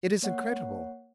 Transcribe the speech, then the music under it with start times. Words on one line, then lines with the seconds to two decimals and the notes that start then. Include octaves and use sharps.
It is incredible!
0.23 A#3 C#5 F#5